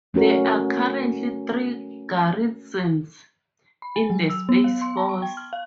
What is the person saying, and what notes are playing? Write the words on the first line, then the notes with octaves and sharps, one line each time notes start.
There are currently three garrisons in the Space Force.
A3 C#4 F#4 A#4
B5
G#5
F#3
E6
B3
F5
C6
A5
C#6
G5
F6
F5